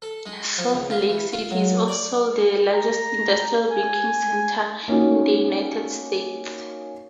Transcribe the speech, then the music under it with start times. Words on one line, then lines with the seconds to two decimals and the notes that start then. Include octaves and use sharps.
Salt Lake City is also the largest industrial banking center in the United States.
0.02 A4
0.26 G#3
0.58 F3
0.73 C#2
0.91 F4
1.10 E3
1.33 F4
1.51 F#3
1.88 D5
2.74 A#5
3.71 G#5
4.88 A#3 C#4 D#4 F#4